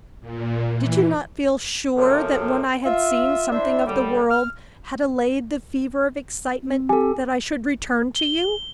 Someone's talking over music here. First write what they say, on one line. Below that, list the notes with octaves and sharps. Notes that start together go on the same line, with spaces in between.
Did you not feel sure that when I had seen something of the world--had allayed the fever of excitement--that I should return to you?
A#2
E3
F#2 A2 C3 F3
F4 E5
D4 E4 C5 E5
F#2 D3 G3
F6
C4
G4 A4 G#5
G7